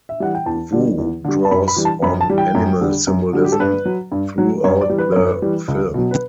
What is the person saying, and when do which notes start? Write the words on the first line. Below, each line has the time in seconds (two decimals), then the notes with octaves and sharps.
Woo draws on animal symbolism throughout the film.
0.09 E5
0.20 E3 G3 F#5
0.35 G5
0.46 E2 A5
0.72 D3 G3
0.98 E2
1.25 D3 G3
1.45 A5
1.51 F#2 B5
1.68 B5
1.77 E3 G3
1.85 A5
2.02 F#2 B5
2.21 A5
2.29 E3 G3
2.38 G5
2.55 F#2
2.81 D3 G3
3.07 F#2
3.33 D3 G3 F#4
3.44 G4
3.52 A4
3.60 G2 B4
3.85 F#3
4.12 G2
4.38 F#3
4.64 F#2 C#5
4.81 D5
4.89 E3 G3
4.98 B4
5.12 F#2 C#5
5.25 B4
5.42 E3 G3
5.68 C#2
5.94 B2 F#3
6.11 B4